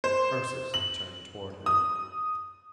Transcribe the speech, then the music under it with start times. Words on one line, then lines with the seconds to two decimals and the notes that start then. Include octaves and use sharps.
Ursus turned towards him.
0.04 C5
0.74 F#7
1.66 D#6